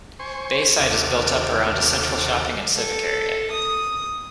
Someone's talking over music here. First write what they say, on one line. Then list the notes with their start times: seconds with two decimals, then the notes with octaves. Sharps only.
Bayside is built up around a central shopping and civic area.
0.19 C5 G#5 C#6
0.78 D#2 C3 F#4 A4 D6 F6
2.77 A4
3.51 D#6